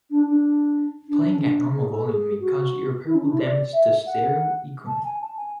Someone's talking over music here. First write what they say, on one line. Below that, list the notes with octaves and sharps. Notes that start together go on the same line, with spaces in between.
Playing at normal volume may cause irreparable damage to stereo equipment.
D4
D4
D4
C#4
D4
G#4
A4
G#4
F#4
E4
C#4
D4
E4
D5
E5
F#5
A5
G#5
A5
G#5